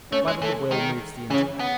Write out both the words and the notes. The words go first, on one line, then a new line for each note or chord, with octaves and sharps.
Whether the Will Moves the Intellect?
A3 C#4
G#3
E3 A3
D#3 G#3
C#3 E3
B3